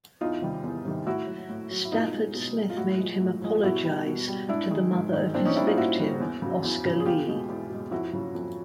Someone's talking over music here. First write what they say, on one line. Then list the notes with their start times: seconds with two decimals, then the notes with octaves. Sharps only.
Stafford Smith made him apologize to the mother of his victim, Oscar Lee.
0.21 E2 D#4 F4
0.42 C3 D#3 G3
0.63 E2
0.85 C3 D#3 G3
1.06 A2 E4 F#4
1.27 F#3
1.49 A2
1.71 F#3
1.85 E4
1.92 B2 D#4 F4
2.14 G#3
2.34 B2
2.56 G#3
2.70 F4
2.77 A2 E4 F#4
2.99 F3 G#3
3.21 A2
3.42 F3 G#3
3.63 B2 E4 F#4
3.85 G3
4.06 B2
4.28 G3
4.48 G#2 D4 E4
4.70 D#3 G#3
4.92 G#2
5.13 D#3 G#3
5.34 A#2 C4 D4
5.45 C#4 D#4
5.56 G3 D4 E4
5.67 D#4 F4
5.77 A#2 E4 F#4
5.99 G3
6.20 E2
6.42 C#3 F#3
6.63 E2
6.85 C#3 F#3
7.00 G#4
7.05 E2 F4 G4
7.27 B2 G#3
7.49 E2
7.70 B2 G#3
7.91 F2 E4 F#4
8.13 C#3 F#3
8.35 F2